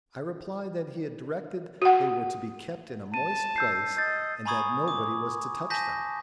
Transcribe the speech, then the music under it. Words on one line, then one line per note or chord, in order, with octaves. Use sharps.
I replied that he had directed they were to be kept in a moist place, and that nobody was to touch them.
F#4 F#5
A5 D#7
E6 G6 C7
D#5 G6 A6
G#5 A#5 B5 C#6 D#6 G#6
D6
G#5 A5 G6 A#6 B6